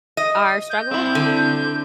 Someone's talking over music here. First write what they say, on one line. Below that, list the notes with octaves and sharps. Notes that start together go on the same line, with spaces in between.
our struggles.
D#5
G6
C4 E4
D3